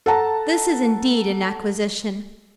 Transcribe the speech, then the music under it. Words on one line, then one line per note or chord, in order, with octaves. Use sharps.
This is indeed an acquisition.
A4 F#5 A5 A#5